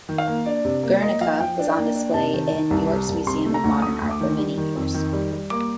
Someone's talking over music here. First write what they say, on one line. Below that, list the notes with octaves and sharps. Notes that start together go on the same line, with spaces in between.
"Guernica" was on display in New York's Museum of Modern Art for many years.
D#3
F5
A#3
D4 D5
C3
A#3
A#3 D#5
F3 F5
F3 G5
D4
A#3
D4
C3 A5
D#3
D#3
C2
C3
C2
C3 C6
A3
A#5
D2
A3 D#6
D2
D6
D#3
G3
D#3
F2
D#3
G3
G3
A#3 D6